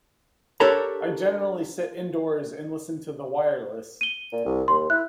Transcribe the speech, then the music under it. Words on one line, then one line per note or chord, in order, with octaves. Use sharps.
I generally sit indoors and listen to the wireless.
D4 G4 A4 A#4 C#5 A#5
D#7 G7
A#2
C2
D#2 C6
E4 F#6